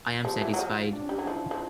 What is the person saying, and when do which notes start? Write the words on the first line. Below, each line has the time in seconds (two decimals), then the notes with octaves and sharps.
I am satisfied.
0.25 F3 G4
0.42 E3
0.54 F#3
0.59 F3
0.93 D4
1.02 C#4
1.09 G3 D4
1.19 F#3
1.27 F3 E4
1.51 F3